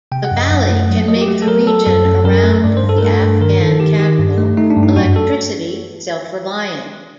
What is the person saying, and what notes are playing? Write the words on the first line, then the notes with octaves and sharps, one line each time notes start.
The valley can make the region around the Afghan capital electricity self-reliant.
C3 G5
F#5
F#2
D#5
F#2 F#5
A3
F#3
F#3 D#5
F#4
G4
A3
A4
F#3 A#4
F#3 A4
F#2 A4
F#2
F#2 A#4
A3
G2 D5
C5
G2
A4
A#4
A3 A4
G2
D#3 A#4
D#3 A4
D#3 G4
D#3 G4
G2
A3
A3 D#4
D4
G2
D#4
F#2 F#4
A4